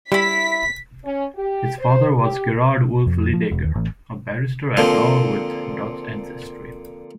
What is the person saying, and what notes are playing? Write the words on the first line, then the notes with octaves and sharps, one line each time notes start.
His father was Gerard Wolfe Lydekker, a barrister-at-law with Dutch ancestry.
G3 E4 B5 B6
C#4
G4
C5
G4
F2
F3
E1
D#2
A1
A#2 D3 F3 C4